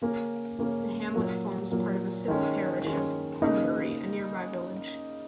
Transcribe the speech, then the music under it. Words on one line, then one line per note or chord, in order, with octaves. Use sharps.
The hamlet forms part of the civil parish of Clunbury, a nearby village.
C#3 A#3 C#4
C#3 A#3 C#4
A#2 F#3 A#3
A#2 F#3 A#3
D#3 G#3 C#4
D#3 G#3 C#4
C#3 A#3 D#4